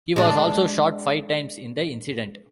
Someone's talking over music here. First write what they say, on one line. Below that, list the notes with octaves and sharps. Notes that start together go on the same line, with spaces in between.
He was also shot five times in the incident.
G#3 D4